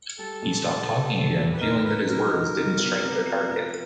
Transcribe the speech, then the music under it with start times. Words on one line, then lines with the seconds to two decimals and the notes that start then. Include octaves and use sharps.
He stopped talking again, feeling that his words didn’t strike their target.
0.18 G3 A4
0.42 A#2
0.66 A#2
0.90 G3
1.13 G3
1.38 A#2
1.53 B4
1.60 D#4 A#4
1.84 D#4 B4
2.08 F#3 A#4
2.32 D#4
2.55 F#3
2.79 B3
3.02 C3
3.26 F3
3.49 C3